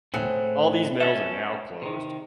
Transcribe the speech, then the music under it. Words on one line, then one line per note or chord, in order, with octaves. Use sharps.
All these mills are now closed.
A2 C4 G#4 F#5
C#4 A4 E5
C3 D#3